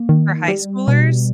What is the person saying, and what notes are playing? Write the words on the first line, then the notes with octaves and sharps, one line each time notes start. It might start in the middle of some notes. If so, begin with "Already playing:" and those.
for high schoolers
Already playing: A#3
D#3
G3
B2